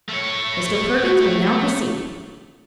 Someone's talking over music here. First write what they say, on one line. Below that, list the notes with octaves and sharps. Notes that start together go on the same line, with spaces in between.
"Mr. Perkins will now proceed."
A3 C#5